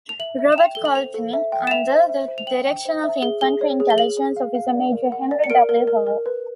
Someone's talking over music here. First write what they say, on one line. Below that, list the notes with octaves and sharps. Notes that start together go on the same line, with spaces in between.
Robert Colodny under the direction of Infantry Intelligence Officer Major Henry W. Hall.
F7
E5 F#7
E5
E7
G5 F7
A4 G7
F#7
C5 F7
A4
E5
G5
E7
E5 F7
C5
E5
C5
F7
G5 F#7
G5
C5
E5
G#4 G7
G#4 G7
C#5
G#4
G7
G#4 F#7
G#4
F5
F5
D5
A#4
F#5
D5
C#7
A#4 D7
A#4
A#4
A#4
B4